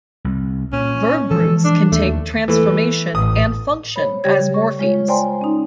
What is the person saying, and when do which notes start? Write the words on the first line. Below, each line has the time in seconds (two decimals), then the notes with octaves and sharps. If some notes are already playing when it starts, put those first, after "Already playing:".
Verb roots can take transformation and function as morphemes.
0.25 C2
0.73 A#2 C#4
1.31 E3 F3 G#3 A4
1.65 D4
1.92 D#2 A3
2.48 E3 A3
3.15 A1 D#6
3.96 C5 C#5 B5
4.24 C#3 G3 G4 C#5 D5 G#6
4.54 C#6
4.79 G#3 F4 C#5
5.08 C5 D5 G5 G#5 A#5 C6
5.41 C#4 D#4